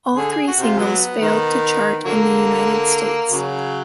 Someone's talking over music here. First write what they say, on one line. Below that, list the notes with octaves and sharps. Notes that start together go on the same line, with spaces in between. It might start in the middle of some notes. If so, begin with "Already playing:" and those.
All three singles failed to chart in the United States.
D3 G#4
G#4
F#4
C3 F4
F#3 G#3 B3
D#3
D3 F#3 A#3
C#3 F#3